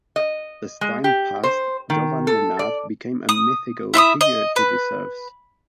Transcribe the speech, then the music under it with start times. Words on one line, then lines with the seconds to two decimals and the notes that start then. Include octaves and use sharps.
As time passed, Jovan Nenad became a mythical figure to the Serbs.
0.16 D#5
0.81 G#3
1.04 G4
1.44 C5
1.90 D#3
2.27 A4
2.59 D5
3.29 D#6
3.94 E4 E5 C6 D#6
4.21 D#5
4.56 B4